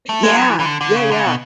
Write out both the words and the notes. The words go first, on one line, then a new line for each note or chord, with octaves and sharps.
Yeah! Yeah, yeah.
A3
G#3
F#3
E3
E3
D3
D3
C#3
D3
C#3
B2